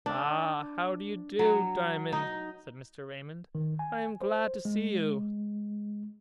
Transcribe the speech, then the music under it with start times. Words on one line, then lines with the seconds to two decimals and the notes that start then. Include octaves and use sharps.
"Ah! how do you do, Diamond?" said Mr. Raymond; "I am glad to see you."
0.06 D4
1.39 F#3
2.12 D#4
3.55 D#3
3.79 G#5
4.22 C5
4.65 G#3